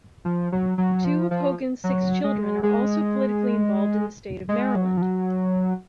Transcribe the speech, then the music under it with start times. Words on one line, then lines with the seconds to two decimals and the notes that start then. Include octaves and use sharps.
Two of Hogan's six children are also politically involved in the state of Maryland.
0.25 F3
0.52 F#3
0.78 F#3
1.04 F3
1.31 F3
1.84 F#3
2.24 G#3
2.63 G#3
4.49 G#3
4.76 F#3
4.97 F3
5.02 F#3